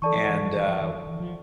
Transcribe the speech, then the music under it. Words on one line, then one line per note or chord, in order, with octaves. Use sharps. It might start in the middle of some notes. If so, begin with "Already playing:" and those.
And, uh, w
E3 A4 D5 A5 C#6
F3
E3
F3
E3
F3
E3
F3
E3
F3